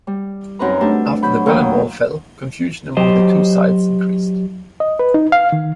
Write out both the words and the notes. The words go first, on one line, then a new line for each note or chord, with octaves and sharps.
After the Berlin Wall fell, confusion among the two sides increased.
G3
F#2 C4 D#4 B4 A#5
A3 D4 G4
F#3 B5 G6
D#2 D#3 F#3 G5 D#6
F#3 G4 C5 D#5
D#5
B4
D#4
F5
D#3